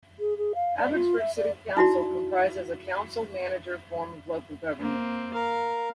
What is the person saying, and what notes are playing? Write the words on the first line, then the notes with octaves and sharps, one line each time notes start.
Abbotsford City Council comprises a council-manager form of local government.
G#4
G#4
F5
D5
F4
E5
D5
D#4 E4 F#4 D5
A#3 C4
A#4 F5